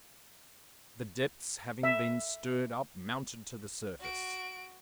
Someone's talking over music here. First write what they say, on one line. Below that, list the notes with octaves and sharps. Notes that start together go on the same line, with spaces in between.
The depths having been stirred up, mounted to the surface.
E5
F#4 D7